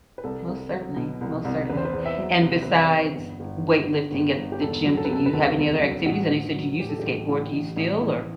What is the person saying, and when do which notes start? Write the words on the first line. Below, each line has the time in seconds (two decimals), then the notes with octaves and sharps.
Most certainly. Most certainly. And besides weightlifting at the gym, do you have any other activities? I know you said you used to skateboard. Do you still, or
0.18 B4
0.24 C2 A4
0.48 C2
0.73 F#3
0.96 B2
1.21 C2
1.45 C2
1.69 E2 B4
1.77 C5
1.85 B4
1.93 E2
2.06 E5
2.18 F#3
2.42 C3 B4
2.51 C5
2.62 E2 B4
2.78 B4
2.90 E2
3.15 G1
3.40 G1
3.63 D3
3.88 G2
4.12 G1
4.37 G1
4.52 G4
4.61 E1 A4
4.86 F#3
4.97 A4
5.05 B4
5.09 C3 A4
5.26 B4
5.33 D2 A4
5.57 E1
5.82 F#3
6.06 A1 F#4
6.30 A1
6.55 F#3
6.79 A2 G4
6.89 A4
6.99 A1 G4
7.29 A1
7.53 A1
7.77 A1
8.00 E3